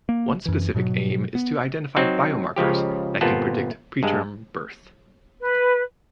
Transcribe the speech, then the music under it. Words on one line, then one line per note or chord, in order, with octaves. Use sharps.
One specific aim is to identify biomarkers that can predict preterm birth.
A#3
F#2 E3
G#2 B2 F#3
B3
F#3 C4 D#4
C#2 C#3 F3 G4
G1 A#2 B3 C4 F4 A5
G2 G#3
B4